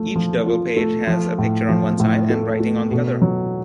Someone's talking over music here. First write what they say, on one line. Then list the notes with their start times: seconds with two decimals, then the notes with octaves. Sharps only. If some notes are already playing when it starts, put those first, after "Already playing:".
Each double page has a picture on one side, and writing on the other.
Already playing: F3 A3
0.16 F3
0.46 F4
0.77 A3
1.07 F3
1.38 A2
1.69 F3
2.00 A2
2.30 A3
2.60 A3
2.91 B2
3.22 F#3